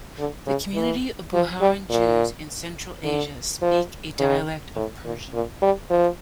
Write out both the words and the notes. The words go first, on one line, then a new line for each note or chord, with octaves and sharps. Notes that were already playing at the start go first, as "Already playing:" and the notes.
The community of Bukharian Jews in Central Asia speak a dialect of Persian.
D3
C#3
E3
F3
G3
A#2
D3
F3
C#3
A2
A#2
A#2
G3
F3